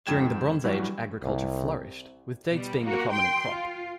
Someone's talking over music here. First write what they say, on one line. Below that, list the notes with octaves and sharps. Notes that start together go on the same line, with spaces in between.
During the Bronze Age, agriculture flourished, with dates being the prominent crop.
F2 G#2 G5 G#6 E7
G2 E3 F#3 G3
C2
B2 G3
A#3 F#4
G5 C6
F4